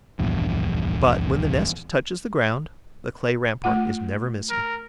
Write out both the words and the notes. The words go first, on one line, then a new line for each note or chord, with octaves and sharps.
But, when the nest touches the ground, the clay rampart is never missing.
D1 A#1 E2 G2
A3 F4 F#5
A#4